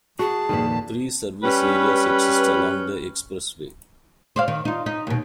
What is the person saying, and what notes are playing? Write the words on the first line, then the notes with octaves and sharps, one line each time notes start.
Three service areas exist along the expressway.
F#4 G#4 A5
F2 A#2 D#3 B4
G3 C#4 B4
C5 D5 F5
D#3
D#4 F4
D#4
D#2 B2